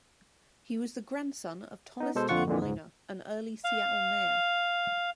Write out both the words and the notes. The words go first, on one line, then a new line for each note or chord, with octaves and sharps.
He was the grandson of Thomas T. Minor, an early Seattle mayor.
B3 D#4
B2 G#3 A4 C5
F2 D3 F3 F4 F#5 C#6
F2 A#2 D3 E3
C#2 G#2
F5